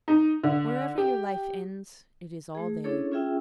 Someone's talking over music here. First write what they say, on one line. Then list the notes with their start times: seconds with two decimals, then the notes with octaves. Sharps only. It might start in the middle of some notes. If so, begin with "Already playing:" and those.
Wherever your life ends, it is all there.
0.08 D#4
0.44 D3
0.98 G4
2.55 A3 G#4
2.84 C#4 D4 E4 G#4 A4 C#5
3.12 C#4 F4 G#4 E5 G5 E6